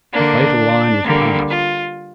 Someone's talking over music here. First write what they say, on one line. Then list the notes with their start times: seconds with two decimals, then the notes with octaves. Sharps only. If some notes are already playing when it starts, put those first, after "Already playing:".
The fatal line was past.
0.13 D3 A#3 D4
1.04 D3 G3 A#3
1.49 F4